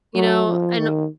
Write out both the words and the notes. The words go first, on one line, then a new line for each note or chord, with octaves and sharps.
you know, and
F#3
F3
D#3